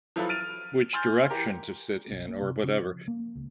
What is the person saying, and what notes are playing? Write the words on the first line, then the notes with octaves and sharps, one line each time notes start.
which direction to sit in or whatever,
F3 F#3 E4 F4 A4 B4
F6 A6 D7 D#7 F7
G#5 C6 F6 G6 A6
E3 G4 A#4
B1
A#3
C3
C#3
F3
A#3
C#2